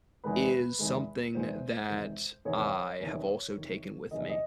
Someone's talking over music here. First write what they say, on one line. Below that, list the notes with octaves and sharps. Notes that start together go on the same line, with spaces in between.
is something that I have also taken with me,
E2 C3 D#3 G#3 B4
E2 C3 D#3 G#3
E2 C3 D#3 G#3 C5
E2 C3 D#3 G#3
E2 C3 D#3 C#5
E2 C3 D#3
E2 C3 D#3
E2 C3 D#3 D#5
D5
D#5